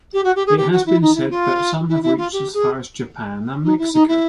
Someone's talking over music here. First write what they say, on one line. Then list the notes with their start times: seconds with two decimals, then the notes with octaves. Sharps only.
It has been said that some have reached as far as Japan and Mexico.
0.13 G4
0.24 F#4
0.36 G4
0.46 G#4
0.57 G4
0.72 F#4
0.86 E4
1.01 D#4
1.15 E4
1.30 F4
1.89 E4
2.02 E4
2.18 F4
2.33 G4
2.54 G#4
3.64 D#4
3.78 E4
3.93 D#4
4.08 E4